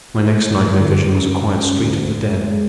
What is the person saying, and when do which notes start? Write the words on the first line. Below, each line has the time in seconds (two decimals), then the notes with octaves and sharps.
My next nightmare vision was a quiet street of the dead.
0.18 A2
0.73 D3
1.15 C#4
1.72 D2
2.25 G#3